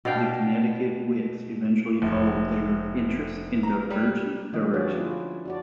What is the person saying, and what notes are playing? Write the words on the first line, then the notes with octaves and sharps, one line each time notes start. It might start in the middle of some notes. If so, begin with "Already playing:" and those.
The Connecticut Wits eventually followed their interests in divergent directions.
B2 D4 F5 G5
F1
A#5
G3
D3 F3 C4 D#5
G3 D#4 F#4 G#4 C#5 D5
C#4 E4 F4
D4 F#4 D5